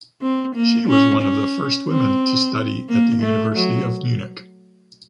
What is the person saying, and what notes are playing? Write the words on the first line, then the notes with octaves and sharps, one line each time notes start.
She was one of the first women to study at the University of Munich.
C4
A#3
C#4
C#4
C4
A#3
A3
F#3